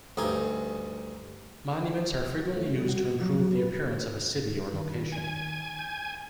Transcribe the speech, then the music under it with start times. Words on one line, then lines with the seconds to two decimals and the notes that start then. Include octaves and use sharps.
Monuments are frequently used to improve the appearance of a city or location.
0.17 D2 G2 D#4 G#5
2.42 F#4
2.55 A3
2.76 G3
2.89 F#4
3.21 F#3
3.38 F#3
3.55 B4
4.74 D#3
5.12 G#5
5.79 G6